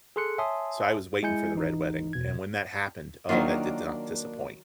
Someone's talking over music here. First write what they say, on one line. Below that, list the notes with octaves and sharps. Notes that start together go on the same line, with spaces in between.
so, I was waiting for the Red Wedding, and when that happened, oh, that did not disappoint.
G#4 A4 C6 F#6 C#7
C#5 E5 G#5 A5 C6 D#6
G#3 E4 G#5 G6 C#7
G#1 E3 D#4
E2 B2 G#6
D#3 F#3 A#3 D4 F4